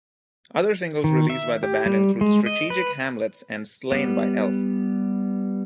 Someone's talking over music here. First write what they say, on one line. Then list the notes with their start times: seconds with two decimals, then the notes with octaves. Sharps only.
Other singles released by the band include "Strategic Hamlets" and "Slain By Elf".
1.04 D#3
1.30 E5
1.63 G4
1.86 G3
2.21 G#3
2.46 D#5
2.70 B4
3.92 G3 B3